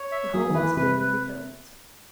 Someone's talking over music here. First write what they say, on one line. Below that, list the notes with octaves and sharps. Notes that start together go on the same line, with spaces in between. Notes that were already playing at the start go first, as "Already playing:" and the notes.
The whole has been rebuilt.
Already playing: C#5
E5
F#3 G#4
D#3
E3 B4
C3 B4
B4